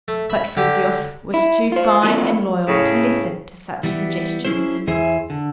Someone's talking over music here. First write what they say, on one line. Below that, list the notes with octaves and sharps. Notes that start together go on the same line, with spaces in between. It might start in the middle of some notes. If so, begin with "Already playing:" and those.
But Frithiof was too fine and loyal to listen to such suggestions.
A3
E5 B5
D3 G4
E4
F4 C5
E3 F3 A3 A#3 C4 F4
A2 C#3
E3 G3 B3
F#3 C#4 E4 G#4 C5
E2 E3 G#4 C5 E5
D3